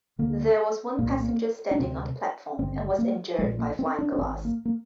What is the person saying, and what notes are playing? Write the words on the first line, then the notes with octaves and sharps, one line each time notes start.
There was one passenger standing on the platform and was injured by flying glass.
D2 D3 A#3
C2 A#2 A#3
C4
A#3
D4
D2 C3 C4
G#1 G2 D3 C4
A#3
A#1 A#2 G#3
A#3
C4
D4
D4
G#1 G#2 C4
A#3
A#3